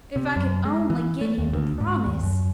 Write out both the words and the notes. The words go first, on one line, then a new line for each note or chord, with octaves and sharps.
"If I could only get him to promise!"
C3
F#2
G#3
E3
A3
D#2
D2
G#2
D#2
F#2